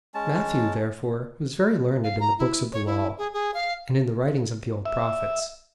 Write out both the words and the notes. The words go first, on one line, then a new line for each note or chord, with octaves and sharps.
Matthew, therefore, was very learned in the books of the Law, and in the writings of the old prophets.
G#3 C#4 A5
F5
A#5
E4
C#5
E4
G#4
G#4
F5
E5